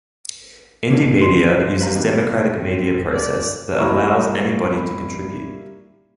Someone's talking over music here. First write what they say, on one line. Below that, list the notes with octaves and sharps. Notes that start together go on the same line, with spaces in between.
Indymedia uses democratic media process that allows anybody to contribute.
D3 A#3 C#4 D#4
F#2 C6
B4 F5 A#5
E2 D#3 G3
C4
D5
G3 A#3 E4 A#5 C#6 E7